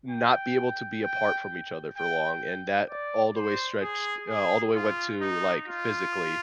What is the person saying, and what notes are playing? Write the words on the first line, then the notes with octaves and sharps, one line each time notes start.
not be able to be apart from each other for long, and that all the way stretched uh, all the way went to, like, physically,
G5
G5
G5
D5
C5
G#4
G#4
F4
D#4
F4